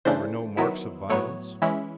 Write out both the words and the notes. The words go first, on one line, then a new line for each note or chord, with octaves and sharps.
"There were no marks of violence?"
C#3 E3 A3 D4 C5
D#3 F#3 B3 E4
A2 F#3 B3 C#5
E3 G#3 C#4 E4